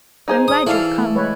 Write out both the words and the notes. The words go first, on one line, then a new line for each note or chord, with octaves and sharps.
"I am glad you have come."
D#4 G#4 C5
D#6
E3 A4 D5 F5
A3 A4
G#3 B4 C#5